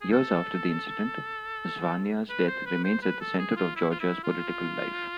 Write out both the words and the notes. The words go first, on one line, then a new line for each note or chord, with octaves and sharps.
Years after the incident, Zhvania's death remains at the center of Georgia's political life.
G#4
A4
B4
C5
B4
C5
B4
A4
G#4
F4
E4
F4
E4
F4